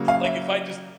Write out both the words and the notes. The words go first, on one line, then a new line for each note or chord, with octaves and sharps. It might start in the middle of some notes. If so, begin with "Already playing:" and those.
Like, if I just
Already playing: C#3 F#3 A#3
F5
E5